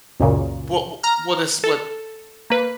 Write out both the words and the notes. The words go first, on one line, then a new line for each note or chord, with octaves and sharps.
wha what is what
C#2 F#2 A#2 C#3
A#5 F6
A4
A#3 B4